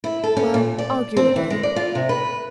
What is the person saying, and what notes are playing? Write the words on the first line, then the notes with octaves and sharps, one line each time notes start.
"Well, argue again."
E4
A4
C#4
A#2
D5
C4
E3
G#3
D5
F4
C3
B4